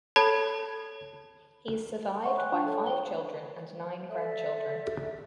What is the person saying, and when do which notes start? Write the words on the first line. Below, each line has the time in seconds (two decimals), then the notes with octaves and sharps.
He is survived by five children and nine grandchildren.
0.16 A4 C#5 A5 B5 G#6
2.25 C#5 D#5 E5 F#5 C6 C#6
2.38 G5 G#5 C6 F#6
2.52 D4 F4 F5 G5 A5 C#6
2.66 A4 C#5 A5
2.83 C#5 G5 G7
4.08 A4 D5 E5